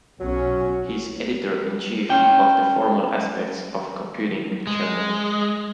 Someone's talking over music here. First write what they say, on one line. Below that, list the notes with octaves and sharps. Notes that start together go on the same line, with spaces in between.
He is Editor-in-Chief of the "Formal Aspects of Computing" journal.
B1 F#3 C#4
C#4 G5
G#3